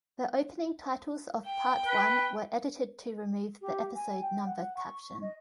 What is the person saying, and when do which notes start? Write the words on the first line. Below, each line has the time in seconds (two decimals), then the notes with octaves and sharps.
The opening titles of Part One were edited to remove the episode number caption.
1.47 G5
1.86 B4
3.61 G4
3.95 G#5
4.21 G5
4.46 F#5
4.77 C#6
5.22 D#5